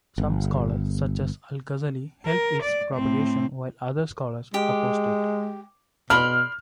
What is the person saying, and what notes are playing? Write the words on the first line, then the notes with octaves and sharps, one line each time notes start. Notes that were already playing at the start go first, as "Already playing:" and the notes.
Some scholars, such as Al-Ghazali, helped its propagation while other scholars opposed it.
G1
A#4
D5
A2 C4
G#3 G4
B2 D5 B5 C6 F6